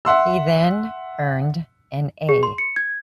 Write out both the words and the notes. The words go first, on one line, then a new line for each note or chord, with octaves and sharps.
He then earned an A.
E5 F#5 C6 E6
G#4
C6
C#7
G#6